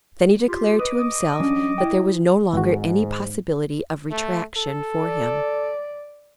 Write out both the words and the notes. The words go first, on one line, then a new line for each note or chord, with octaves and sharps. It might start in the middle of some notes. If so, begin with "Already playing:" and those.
Then he declared to himself that there was no longer any possibility of retractation for him.
F4 G4
B4 D#5 D6 D#6
F#3 C#4 D4
E4 G5
G#1 G#2 F#4
A3
A4
D5